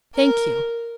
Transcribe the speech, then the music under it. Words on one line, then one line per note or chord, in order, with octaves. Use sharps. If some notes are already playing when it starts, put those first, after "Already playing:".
"Thank you."
A#4